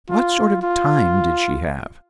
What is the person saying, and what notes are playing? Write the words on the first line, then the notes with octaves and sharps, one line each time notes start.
What sort of time did she have?
F4
F4